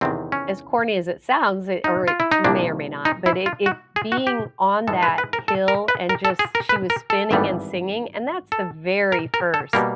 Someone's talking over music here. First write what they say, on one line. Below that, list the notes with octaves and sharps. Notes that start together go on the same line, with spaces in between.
as corny as it sounds, it or it may or may not, but it it being on that hill, and just she was spinning and singing, and that's the very first,
E2 C3 D#3 C4
C#4
D#4
F4
E4
D#4
C2 A#2 F3 A#3 D4
D#4
E4
F4
F#4
G#4
F#4
G4
G#2 E3 G#3 A4
B4
B4
A#4
A4
A#4
B4
A#4
A4
G#4
A#4
B4
A#4
A4
G#1 G2 E3 G3 B3
A4
A#4
A#4
A4
B2 G3 A#3 A#4